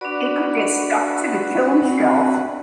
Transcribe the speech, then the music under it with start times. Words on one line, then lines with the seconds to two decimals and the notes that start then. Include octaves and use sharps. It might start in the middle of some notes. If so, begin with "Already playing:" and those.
it could get stuck to the kiln shelf.
0.01 D4 F#4 B4 D5
1.82 C4